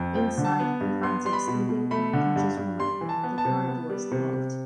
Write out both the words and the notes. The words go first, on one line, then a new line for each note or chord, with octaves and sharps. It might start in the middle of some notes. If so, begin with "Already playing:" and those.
Inside he finds a sleeping or unconscious woman with the car doors locked.
Already playing: F2
F3 G5
D3
A5
B3
G2
B3 C6
G3 C6
B5
B2
B2
A3 B5
D3
G2
G2
G3 C6
E3
A5
B3
A5
C3
B3
G3
C3
C3